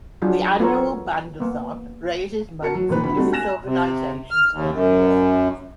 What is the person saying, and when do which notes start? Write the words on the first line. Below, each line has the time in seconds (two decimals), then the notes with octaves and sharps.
The annual Band-a-Thon raises money for different organizations every year.
0.22 F#3 D4 F4 G#4
0.59 B3 F4 A4 A#4 C#5
1.40 A#3 B3
2.62 F#4 A#4 A5 C#7
2.74 F#3
2.89 A#2 D#3 B4
3.04 D2 B5
3.16 G3 A3 C4 D4 D#4 F#4
3.32 G#5 F#6 A#6 E7
3.65 C3
4.31 F6
4.51 D#2
4.72 F#2